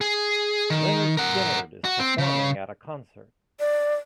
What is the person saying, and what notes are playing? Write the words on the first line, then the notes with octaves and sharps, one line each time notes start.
Lynyrd Skynyrd is performing at a concert.
G#4
D#3
A#4 F#5
F#4
C4
C#3
D5